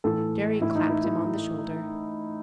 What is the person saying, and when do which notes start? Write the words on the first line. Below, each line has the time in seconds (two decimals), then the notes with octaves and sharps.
Jerry clapped him on the shoulder.
0.04 A2 E3 A4
0.61 A2 E3 E4
0.75 D#4
0.90 E4
1.04 E4